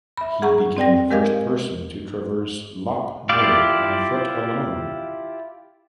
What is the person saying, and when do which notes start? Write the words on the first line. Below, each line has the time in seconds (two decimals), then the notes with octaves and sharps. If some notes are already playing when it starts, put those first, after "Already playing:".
He became the first person to traverse Lop Nur on foot alone.
0.17 E5 B5
0.42 G#4 F#5 A#5 C#6
0.77 C4 D5 G5 A#6
1.10 G#3 G4 A#4 D#5 F5 G#6
3.29 E4 F4 G4 D5 F5